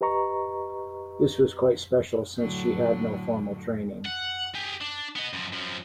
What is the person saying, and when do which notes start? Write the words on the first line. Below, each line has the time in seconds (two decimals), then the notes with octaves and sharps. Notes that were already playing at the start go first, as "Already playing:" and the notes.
This was quite special since she had no formal training.
0.01 G4 B4 D#5 A#5 C#6
2.39 A2 D3 F#3
4.06 F#5
4.55 G4 G#4
4.81 D4
5.16 B3 D#5
5.33 F#2 F3
5.53 F#2 F3